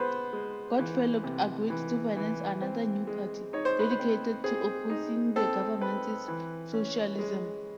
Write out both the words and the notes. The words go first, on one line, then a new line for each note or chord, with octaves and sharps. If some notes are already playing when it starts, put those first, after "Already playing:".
Goodfellow agreed to finance another new party, dedicated to opposing the government's "socialism".
Already playing: G#3 B3 B4 C5
G#3
E3
C3
E3
E3
C4
G#3
D#4 C#5
C5
B4
C5
C4
C4 G#4
D#4
C4 A4
C4 B4
E3
C#4
G#3